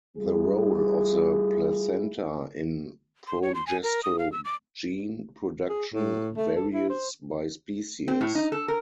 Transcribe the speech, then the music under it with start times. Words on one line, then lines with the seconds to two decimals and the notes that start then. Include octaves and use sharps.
The role of the placenta in progestogen production varies by species.
0.18 G3 A3 E4 F4 G#4
3.27 C6
3.43 C#5
3.55 C6
3.67 G#5
3.83 A#4
4.03 D#6
4.19 F5
4.32 E6
4.45 D6
5.69 G#4
5.94 A2
6.37 A3
6.56 A4
6.73 E4
6.90 C5
8.08 C4
8.21 A2
8.35 D#4
8.52 A4
8.68 A#4